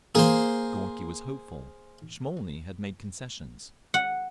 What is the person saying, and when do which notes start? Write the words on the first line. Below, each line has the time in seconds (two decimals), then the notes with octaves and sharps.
Gorky was hopeful; Smolny had made concessions.
0.15 A#3 G#4 C5
3.94 F#5